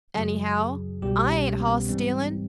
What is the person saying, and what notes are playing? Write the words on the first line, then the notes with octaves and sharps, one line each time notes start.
Anyhow, I ain't hoss stealin'.
F#2 C#3 F#3 G#4
C2 B2 G3 G4
C#4
B3
G#2 E3 G3 C4